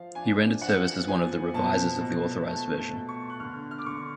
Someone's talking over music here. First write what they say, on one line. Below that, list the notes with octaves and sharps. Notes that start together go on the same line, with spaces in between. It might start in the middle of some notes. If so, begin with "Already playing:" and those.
He rendered service as one of the revisers of the authorized version.
Already playing: F3 F5
D4 G#5
F3 F#5
F3 G#5
B2 A5
B2
A3 A5
A5
B2
C#6
F#6
D3 F6
F6
D6
D3 C#6